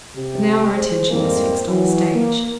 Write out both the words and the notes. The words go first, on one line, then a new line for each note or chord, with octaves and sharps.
But now our attention was fixed on the stage.
C3 G4
G#4 C5
F2 G#2 G3 A#3 C4
E3 F#3
A#3